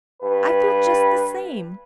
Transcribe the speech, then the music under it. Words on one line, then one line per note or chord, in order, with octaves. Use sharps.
I feel just the same.
G2 B4